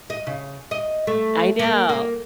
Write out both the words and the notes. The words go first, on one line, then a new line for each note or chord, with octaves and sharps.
I know
D#5
C#3
D#5
A3
A#3
A#3